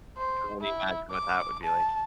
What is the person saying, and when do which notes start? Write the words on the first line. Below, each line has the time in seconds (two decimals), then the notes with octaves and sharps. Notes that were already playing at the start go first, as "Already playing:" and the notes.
I can only imagine what that would be like.
0.18 C5
0.61 E4
1.11 D6
1.64 A5